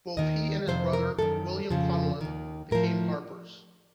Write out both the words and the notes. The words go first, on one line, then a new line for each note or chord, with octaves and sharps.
Both he and his brother, William Connellan became harpers.
D#2 D#3 D#5
F2 C3 F3 C5
A#4
F#2 D#3 A4
F2 C#3 F3
D#2 D#3
A2 F3 A#4